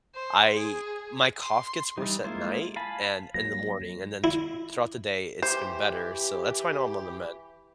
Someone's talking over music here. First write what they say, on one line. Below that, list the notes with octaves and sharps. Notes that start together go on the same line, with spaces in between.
I my cough gets worse at night and in the morning. And then th throughout the day, it's been better. So that's why I know I'm on the mend.
C5
G#4
C6
E3 G3 D#4
G#3 A#3 E4 F4 C5
F5 G#5 A5 B5
F#3 A#3 A#6
E4
E3 G4 C5